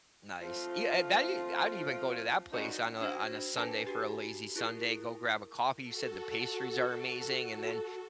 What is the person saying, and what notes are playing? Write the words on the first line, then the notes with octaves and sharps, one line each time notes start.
Nice. Yeah, uh, that i I'd even go to that place on a on a Sunday for a lazy Sunday, go grab a coffee. You said the pastries are amazing, and then
F3 A3 C4 F4
F#2 F3 G#3 D4 D#4 F#4
D4 F#4 C5 G#6 A#6
D4 A4 B4 G#5 A5
F#4 G4
E4 F4 G#4 A#4
F#4 A4